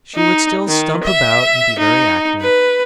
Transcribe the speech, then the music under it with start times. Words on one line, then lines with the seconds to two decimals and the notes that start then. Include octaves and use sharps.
She would still stump about and be very active.
0.16 D#4
0.68 D#3
1.03 E5
1.79 D#4
2.41 B4